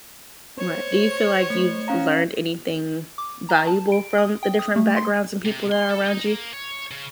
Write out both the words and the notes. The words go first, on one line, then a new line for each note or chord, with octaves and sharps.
Right, do you feel like you've learned anything valuable from the different backgrounds and people that are around you?
C5 C#5
A3
C#4 F5 A#5
D6
A#5
A5
D7
D#6
G5
D#6
A3
C6
C3
C6
A4
D#4
A#3
C#5
C#3